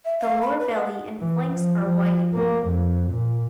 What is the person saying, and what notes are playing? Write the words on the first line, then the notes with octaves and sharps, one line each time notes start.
The lower belly and flanks are white.
E5
F5
B5
B4
F#5
E3
F3
F3
A#3
F2
A#2